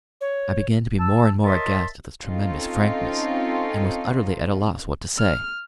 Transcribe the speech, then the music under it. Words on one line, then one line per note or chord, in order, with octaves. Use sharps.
I began to be more and more aghast at this tremendous frankness, and was utterly at a loss what to say.
C#5
A5 E6
A#4 C#5 D#5 E5 A5 C6
C4 C#4 D#4 F4 A4
F6